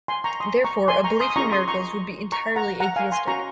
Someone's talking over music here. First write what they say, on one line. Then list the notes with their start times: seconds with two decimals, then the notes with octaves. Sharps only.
Therefore, a belief in miracles would be entirely atheistic.
0.08 G#5 C6
0.24 A#5 C#6
0.40 C6 D#6
0.64 A#5 C#6
0.88 G#5 C6
1.04 A#5 C#6
1.20 C6 D#6
1.30 D#6
1.36 C#4 F4 G#4 C#5 A#5 C#6
1.52 C6 D#6
1.68 A#5 C#6
2.32 A#5 C#6
2.56 F#5 A#5
2.80 F#5 A#5
2.96 F5 G#5
3.12 G#5 C6
3.27 C#4 F#4 C#5 A#5 C#6